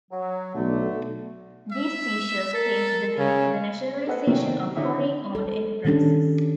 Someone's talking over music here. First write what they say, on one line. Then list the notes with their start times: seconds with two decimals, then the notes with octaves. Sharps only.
These seizures paved the way for the nationalization of foreign-owned enterprises.
0.11 F#3
0.55 B1 D3 A3
1.72 E5
2.54 A4 A#4
3.18 C#3 C#4
4.07 A4 B4 C5 D#5 F#5
4.27 C3 D#3 F#3 A3 C4 C#4
4.76 D3 E3 D#4 C#5 E5
5.35 A4
5.85 D#3 G3 C#4 D4 A4